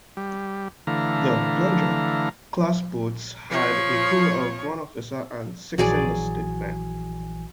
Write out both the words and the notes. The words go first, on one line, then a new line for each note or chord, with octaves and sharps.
The "Plunger"-class boats had a crew of one officer and six enlisted men.
G3
D3 E3 A3 F5 A#5
F3 C#5
A#1 E3 F#3 G#4 D5 G#5